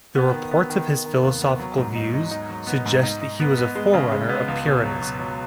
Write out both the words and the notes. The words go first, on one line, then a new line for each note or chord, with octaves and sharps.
The reports of his philosophical views suggest that he was a forerunner of Pyrrhonism.
B3
D#3
B3
D#3
D#3
D#3
D#2
B3
F#3
G#2
D#4
D#4
D#4
F#3
B3
G#2
D#4
D#4
B3
B3
G#3
C#3
G#3
B3
C#2
B2
F#3
B2
F#3